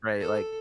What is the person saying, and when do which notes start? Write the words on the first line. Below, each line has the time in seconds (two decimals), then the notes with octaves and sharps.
right, like,
0.20 A4